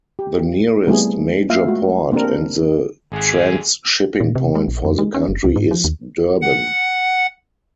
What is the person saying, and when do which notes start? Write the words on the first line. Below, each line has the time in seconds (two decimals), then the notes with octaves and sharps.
The nearest major port and the transshipping point for the country is Durban.
0.19 G4
0.87 G3 A3 B3 C4 E4 G#4
1.49 A#3 F4 E5 F5
1.66 G#3 A3 F#4
2.12 A#3 C4 D4 G4 A#4
3.12 G#1 D2 C3 G#4 F#5
4.20 A#2
4.35 C3
4.55 G#3
4.68 A#1
4.85 F2
4.99 G#3
5.14 C#4
5.29 F#1
5.44 C#2
5.56 G#2
5.71 F3
5.84 D#2
6.41 F#5